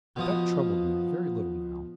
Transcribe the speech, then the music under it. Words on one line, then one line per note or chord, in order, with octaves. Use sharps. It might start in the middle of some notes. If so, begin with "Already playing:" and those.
But that troubled me very little now.
B2 F3 D#6